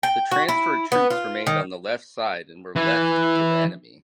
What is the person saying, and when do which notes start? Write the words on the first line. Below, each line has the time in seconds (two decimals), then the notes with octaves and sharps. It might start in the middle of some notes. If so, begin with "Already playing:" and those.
The transferred troops remained on the left side and were left to the enemy.
0.03 G5
0.31 F#4
0.48 E4
0.92 B3
1.10 F4
1.47 D#3
2.76 E3